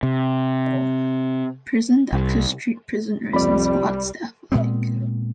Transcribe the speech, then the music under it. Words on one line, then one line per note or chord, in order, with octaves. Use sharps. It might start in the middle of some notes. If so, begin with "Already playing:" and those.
Prison doctors treat prisoners and Squad staff alike.
C3
C2
C2 F2 G3 D5 B5
A#2 G#3 B3 C4